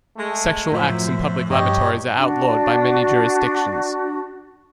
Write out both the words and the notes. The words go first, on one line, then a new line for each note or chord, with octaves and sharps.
Sexual acts in public lavatories are outlawed by many jurisdictions.
G#3 A3
F#2 A2 F3 C5 E5
G2 G4 C#5 D#5
D4 F#4